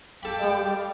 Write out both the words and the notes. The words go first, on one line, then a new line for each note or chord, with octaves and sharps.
so like
A4 F5 G5 B5 D6